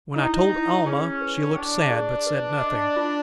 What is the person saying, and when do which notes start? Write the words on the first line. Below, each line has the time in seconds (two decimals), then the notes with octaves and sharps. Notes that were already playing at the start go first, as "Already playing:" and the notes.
When I told Almah, she looked sad, but said nothing.
0.15 D#4 E4
0.50 E4
0.86 C#4 G#4
1.21 B4
1.56 D4 G5
1.90 G#4
2.26 B4
2.61 D#5
2.96 F4